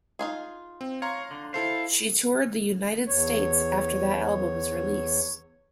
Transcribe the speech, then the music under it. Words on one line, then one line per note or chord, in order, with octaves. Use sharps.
She toured the United States after that album's release.
D#4 F4 G#4
C4
C#5 F5 A#5 C6
D3
E4 A4 C5 F5
E2 C#5